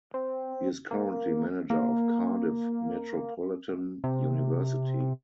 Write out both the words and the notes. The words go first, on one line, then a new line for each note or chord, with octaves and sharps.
He is currently manager of Cardiff Metropolitan University.
C4
A#3
A#3
C3